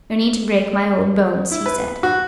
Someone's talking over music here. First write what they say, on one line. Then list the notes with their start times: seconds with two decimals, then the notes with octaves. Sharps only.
"No need to break my old bones," he said.
1.52 E4
1.66 B4
2.03 F#4